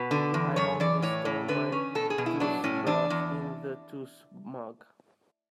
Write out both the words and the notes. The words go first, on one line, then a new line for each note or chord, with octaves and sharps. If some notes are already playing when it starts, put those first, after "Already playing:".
I always store my toothbrush in the toothmug.
Already playing: B2 B4
D3
E2
F#2 C#5
E3 D5
A2 C#5
A2
D3 B4
C#4
B2 A4
G#4
B2
E4
F#3 D4
A2 C#4
E2 D4
E2